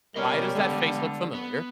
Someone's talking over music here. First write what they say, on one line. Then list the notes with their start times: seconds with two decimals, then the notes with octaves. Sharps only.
"Why does that face look familiar?"
0.16 A#2 G3 B3 C#4 A#4 D#5
0.55 D3 G#3 B3
1.34 B3